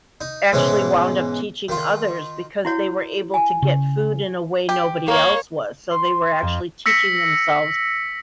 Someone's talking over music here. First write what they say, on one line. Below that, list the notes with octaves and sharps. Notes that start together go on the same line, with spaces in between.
actually wound up teaching others because they were able to get food in a way nobody else was, so, they were actually teaching themselves
D#4
G#2 B2 E3 G#3 C#4
D#3 F4
E4 F#4 C#5
G#5
C#3
G4
A#3 C#5
C6
F2
E6 A#6 B6 C#7